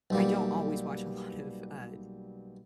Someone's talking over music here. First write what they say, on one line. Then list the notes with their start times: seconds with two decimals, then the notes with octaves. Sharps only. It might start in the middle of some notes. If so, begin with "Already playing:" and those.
I don't always watch a lot of, uh,
0.10 B1 G3 A#3